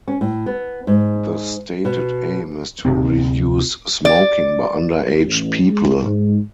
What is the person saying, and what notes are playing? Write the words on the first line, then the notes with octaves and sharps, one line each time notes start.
The stated aim is to reduce smoking by underaged people.
C#4
A2
B3
G#2
B2
D1 A#1 C3 C4
D5
A1
G#3
G#2